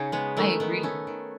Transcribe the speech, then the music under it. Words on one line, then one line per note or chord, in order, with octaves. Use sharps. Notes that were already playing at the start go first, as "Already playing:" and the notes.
I agree,
Already playing: C#3 C#4 D#4
G#3 B3
D#3 A3
D#3 B3
A3 C#4
D#3